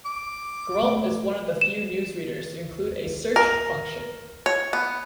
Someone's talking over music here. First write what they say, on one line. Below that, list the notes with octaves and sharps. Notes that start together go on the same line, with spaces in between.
GrabIt is one of the few newsreaders to include a search function.
D6
A3
E7
A#4
C#5
B3